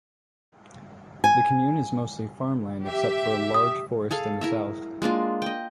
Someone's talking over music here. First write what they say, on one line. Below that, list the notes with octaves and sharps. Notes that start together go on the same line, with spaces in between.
The commune is mostly farmland except for a large forest in the south.
G#5
G4 E5
D#6
G#4 A4 F5
E4 A#4 E5
G#3 A#3 D4 F4
D#5 G5